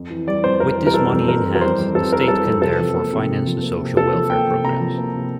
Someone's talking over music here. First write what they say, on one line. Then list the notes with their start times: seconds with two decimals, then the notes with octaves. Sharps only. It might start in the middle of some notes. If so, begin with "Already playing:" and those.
With this money in hand, the State can therefore finance the social welfare programs.
Already playing: F2
0.10 E3
0.27 G3 D5
0.44 F2 C5
0.60 F2 A#4
0.77 E3
0.87 A#4
0.94 G3 A4
1.11 F2
1.28 F2 A#4
1.45 E3
1.55 A#4
1.61 G3 C5
1.78 F2
1.95 F2 A4
2.12 E3 A#4
2.28 G3 A4
2.45 F2
2.62 C3 A4
2.79 F3
2.96 A#3
3.13 C3
3.29 C3
3.47 F3
3.63 A#3
3.80 C3
3.97 C3 A4
4.14 F3
4.30 A#3 G5
4.47 C3
4.64 C3 A#5
4.81 F3
4.98 A#3
5.15 C3